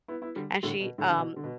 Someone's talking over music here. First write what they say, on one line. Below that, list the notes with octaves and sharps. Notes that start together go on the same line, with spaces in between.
and she, um,
B3 E4
B3 E4
D3 G3
A2 D3
B2
A2 D3
D3
B2
D3
B2